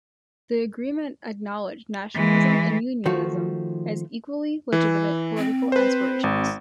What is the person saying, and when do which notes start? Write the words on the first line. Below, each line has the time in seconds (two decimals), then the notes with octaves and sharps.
The agreement acknowledged nationalism and unionism as "equally legitimate, political aspirations".
2.14 E3 G#3
3.06 D#3 F3 A3 F#4
4.72 E3
5.38 C4
5.72 B4 C5
6.24 G#1